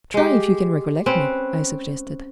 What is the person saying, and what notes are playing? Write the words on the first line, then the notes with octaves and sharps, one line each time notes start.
"Try if you can recollect me," I suggested.
G#3 G4
C4 C#4 B4